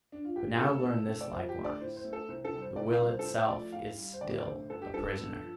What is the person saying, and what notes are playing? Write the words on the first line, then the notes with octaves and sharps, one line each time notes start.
But now learn this likewise: the Will itself is still a prisoner.
D4
F4
G2 G4
G4
D3 A3 A4
C2
C3 A3
D5
F2 C5
G4
D3 A3
D5
A2 C5
C5
A3
A4
C2 C5
A4
C3 G3
C5
C2 D5
F5
C3 G3
C5
A4
A2 C5
F3 A3 D5
A2 F5
G3
C5
D2 D5
D5
D3 A3 C5
G2 A4
G4
G3 A4
G2
F3